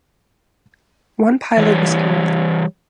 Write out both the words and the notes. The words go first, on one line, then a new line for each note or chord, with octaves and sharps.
One pilot was killed.
E3 G3 C#5